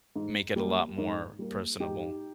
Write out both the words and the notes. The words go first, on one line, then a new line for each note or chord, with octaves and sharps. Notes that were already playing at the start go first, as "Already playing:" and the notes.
make it a lot more personable.
G#2
G3 A#3
G#2
G3 A#3
G#2 D#4 G4